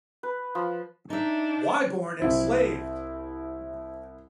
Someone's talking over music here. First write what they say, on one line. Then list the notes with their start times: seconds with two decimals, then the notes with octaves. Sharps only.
Why Born Enslaved!
0.23 B4
0.55 F3
1.10 D4 D#4 E5
2.20 C2 E4 C5